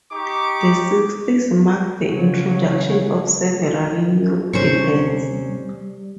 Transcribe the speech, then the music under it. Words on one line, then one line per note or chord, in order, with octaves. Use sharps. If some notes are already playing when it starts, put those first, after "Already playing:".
The sixties marked the introduction of several new events.
D#4 G4 C#6 D6
C#3 F#3
D#2 C3 G3 C#4 C5 C#6